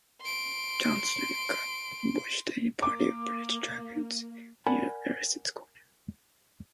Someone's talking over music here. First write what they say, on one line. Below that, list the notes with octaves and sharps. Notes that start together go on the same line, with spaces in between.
John Schenck ambushed a party of British dragoons near Larison's Corner.
C6 D7
A#3 D6
A#4 D5 F#5 G#5 A5 B5